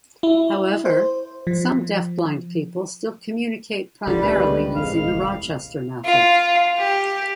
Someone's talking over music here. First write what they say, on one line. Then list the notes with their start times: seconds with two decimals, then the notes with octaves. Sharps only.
However, some deafblind people still communicate primarily using the Rochester Method.
0.23 E4
0.85 C5
1.47 F3
4.07 C#2 D3 G3
4.22 C#2 A#2 D#3 B4
4.76 A1 F2 G#3 F5
5.04 D#1 C2
6.05 F4
6.78 G4